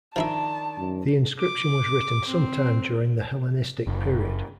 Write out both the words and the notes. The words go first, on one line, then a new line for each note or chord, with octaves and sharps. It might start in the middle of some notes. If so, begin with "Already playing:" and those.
The inscription was written sometime during the Hellenistic period.
D#3 F3 D4 E4 E5 A5
F#2
D6
C4
F#1